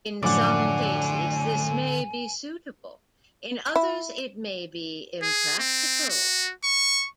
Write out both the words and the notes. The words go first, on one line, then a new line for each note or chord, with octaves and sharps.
In some cases this may be suitable; in others it may be impractical.
F#2 A2 D3 F3 D5 F#5 G#5
E4
G#4
C4
F#4
C#6